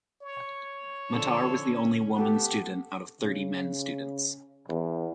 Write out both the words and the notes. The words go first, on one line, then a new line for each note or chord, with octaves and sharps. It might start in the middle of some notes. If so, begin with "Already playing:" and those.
Matar was the only woman student out of thirty men students.
C#5
D3 F3 A4
C#4
A3 B3 G4 A4 F#5
C#3
E2